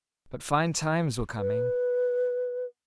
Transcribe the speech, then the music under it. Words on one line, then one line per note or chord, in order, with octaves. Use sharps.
But fine times were coming.
B4